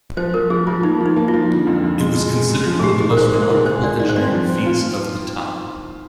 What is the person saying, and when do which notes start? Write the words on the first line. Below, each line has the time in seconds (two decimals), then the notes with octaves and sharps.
It was considered one of the most remarkable engineering feats of the time.
0.17 F3 C5
0.34 F3 A#4
0.50 F3 G#4
0.67 F3 F4
0.83 A#3 D#4
1.01 F3
1.06 D#4
1.16 A#3
1.28 F4
1.34 F3
1.51 D3
1.67 F2
1.84 F3
2.00 G#3
2.17 G#3
2.34 G#3
2.50 G#3
2.66 F3
2.79 G#4
2.83 G#3 G4
3.00 D#3 G#4
3.11 A#4
3.17 D#4 C5
3.33 G#3 A#4
3.42 C5
3.50 D#3 A#4
3.66 G#4 C5
3.83 G#3 D5
4.00 D#3 D5
4.09 C5
4.16 C4 D5
4.33 F3
4.49 C4
4.66 F4